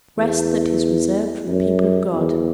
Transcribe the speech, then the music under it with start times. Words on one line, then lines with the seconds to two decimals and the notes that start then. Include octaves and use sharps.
"Rest that is reserved for the people of God."
0.17 E2
1.48 F#2
2.13 E2